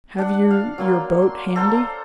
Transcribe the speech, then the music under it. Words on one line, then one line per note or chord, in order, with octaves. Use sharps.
"Have you your boat handy?"
D4 F#5
F5
F#3 A#3 C6
C6
A4 C5 F5 A#5